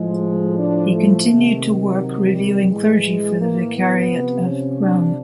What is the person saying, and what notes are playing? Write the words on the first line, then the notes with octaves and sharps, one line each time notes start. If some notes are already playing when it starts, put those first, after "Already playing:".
He continued to work reviewing clergy for the Vicariate of Rome.
Already playing: A2 F3 G#3
D4
A3
C3 D#3
G#3
F#3
G3
A2 E3 G#3
A#3
B3
C3 F3
C#4
D4